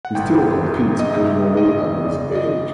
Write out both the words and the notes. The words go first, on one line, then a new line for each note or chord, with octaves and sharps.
He still competes occasionally at his age.
F#5
G1 G5
F#2
D#5
C#3 E5
G1 D#5
C#3 D5
D5
D#5